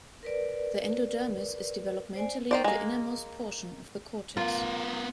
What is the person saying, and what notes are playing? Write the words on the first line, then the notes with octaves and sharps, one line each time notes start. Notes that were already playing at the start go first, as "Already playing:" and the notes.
The endodermis is developmentally the innermost portion of the cortex.
A#4 B4 D5
C5 D5 G#5
D#3 C5 D5
G#3 A#3
B3 F4 A#4